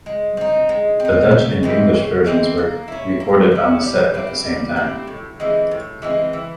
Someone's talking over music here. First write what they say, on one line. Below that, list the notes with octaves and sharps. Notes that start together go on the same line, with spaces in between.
The Dutch and English versions were recorded on the set at the same time.
G#3
C4 D#4
G#3
C4
D#4
C#3
E3 G#3 C4
C#3
E3 G#3 C4
A#3
C#4 E4
A#3
C#4 E4
G3
C4 E4 G4
G3
C4 E4 G4
A2
E3 G#3 C4
A2
E3 G#3 C4
E3